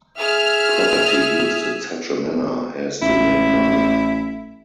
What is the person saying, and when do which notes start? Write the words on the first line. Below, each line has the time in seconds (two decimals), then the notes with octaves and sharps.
Property used in such a manner as to make money.
0.18 G#4 E5 F6
3.02 A1 E4